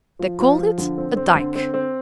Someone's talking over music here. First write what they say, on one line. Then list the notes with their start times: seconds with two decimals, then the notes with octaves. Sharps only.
They called it a dyke.
0.19 F3
0.40 F3
0.58 F3
0.78 D3
0.98 C4
1.17 C4
1.35 D3
1.56 C4
1.74 C4